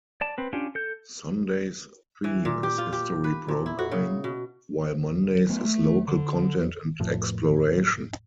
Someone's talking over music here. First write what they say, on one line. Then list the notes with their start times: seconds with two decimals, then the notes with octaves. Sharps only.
Sunday's theme is history programming while Mondays is local content and exploration.
0.21 D5 A5
0.38 C4 B4
0.53 C#4 D4 F4 G4
0.75 A4 G6
2.24 E3
2.45 A#2
2.63 G4
2.78 F4
2.93 G4
3.24 B4
3.48 A#2
3.66 E4
3.79 F#4
3.91 C#3
4.24 B2
5.49 F#3 A3 B3
5.65 A3
6.08 D3
7.00 F1 A2 F3